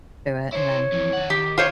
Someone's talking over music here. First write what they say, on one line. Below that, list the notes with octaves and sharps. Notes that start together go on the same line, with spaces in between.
it, and then,
E4 C5 C#5
F2 E3
D#3 F#5
D#3 G4
F4 C5 C#5